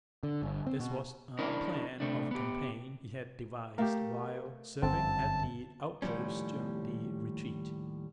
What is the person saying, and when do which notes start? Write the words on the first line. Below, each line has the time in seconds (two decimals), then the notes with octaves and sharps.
This was a plan of campaign he had devised while serving at the outposts during the retreat.
0.23 D3
0.43 G1
0.67 C4
0.80 B2
1.39 C#4 D4 E4 A#4
2.00 C3 A3 C4 D4
2.31 B3 G4
3.78 A3 G4 A#4 F5
4.82 G1 F#2 C4 A5
6.02 D#2 A2 C#3 F3 G3 C#4